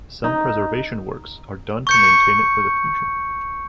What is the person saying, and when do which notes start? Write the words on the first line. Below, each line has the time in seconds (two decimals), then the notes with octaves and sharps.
Some preservation works are done to maintain it for the future.
0.24 D#4
1.87 C#6 G6 C#7